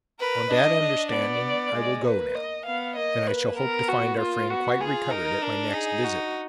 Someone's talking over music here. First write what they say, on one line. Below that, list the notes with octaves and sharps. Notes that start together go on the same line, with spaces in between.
"On that understanding I will go now; and I shall hope to find our friend quite recovered at my next visit."
A#4 B4
D4 D#5
D4
B3 D5
G#3
A#3 B4
D#5
B3 F5
A#3 D#5
A#3 B4
B3 A#4
F#4
A#3 F4
B3 F#4
F4 G#4
D#4 A#4
D4 A#4
D#4 G#4
F#4